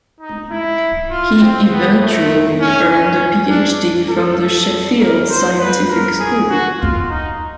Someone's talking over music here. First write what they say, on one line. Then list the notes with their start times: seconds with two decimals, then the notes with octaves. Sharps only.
He eventually earned a Ph.D. from the Sheffield Scientific School.
0.21 D#4
0.51 E4
1.10 F4
1.40 C4
1.70 B3
2.00 A3
2.61 C#4
2.90 C#4
3.50 D4
4.09 A4
5.00 A#4
5.29 C5
5.59 B4
5.90 A#4
6.19 G#4
6.49 F#4
6.79 F4
7.09 D#4